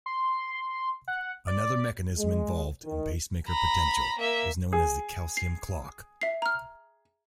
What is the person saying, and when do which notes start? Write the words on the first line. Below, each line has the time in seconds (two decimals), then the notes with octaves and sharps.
Another mechanism involved in pacemaker potential is known as the calcium clock.
0.06 C6
1.08 F#5
1.47 D5
2.18 G#3
2.84 D#3
3.48 A#5 B5
4.19 A#3 E5
4.73 G#4
5.37 C7
6.21 E5 C7
6.42 A#5 F6